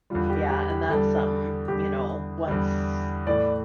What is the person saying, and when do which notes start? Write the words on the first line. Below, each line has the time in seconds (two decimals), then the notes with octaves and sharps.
Yeah, and that's something, you know, once
0.10 E2 D3 G3 F4
0.29 G4
0.50 G4
0.70 G4
0.89 E2 D3 G3 A4
1.68 E2 D3 G3 G4
2.48 E2 D3 G3
3.27 A2 E3 A3 D5